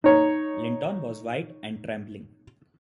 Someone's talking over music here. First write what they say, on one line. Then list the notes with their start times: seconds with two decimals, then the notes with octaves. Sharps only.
Linton was white and trembling.
0.04 D#4 C#5